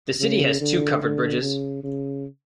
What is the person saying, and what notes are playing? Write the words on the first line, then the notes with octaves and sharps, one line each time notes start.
The city has two covered bridges.
C#3
D3
D3
C#3
C#3